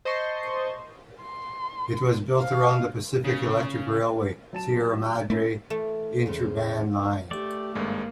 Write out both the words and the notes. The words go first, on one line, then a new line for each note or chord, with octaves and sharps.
It was built around the Pacific Electric Railway-Sierra Madre interurban line.
C5 D#5 A5 C6 C#6
C6
F5
C#3
F#3 A5 E7
A3 C#4 E4 A#4
E3 A3
E2 C#3 C5
A3 G4 D5
G#1 G2 G#3 A#3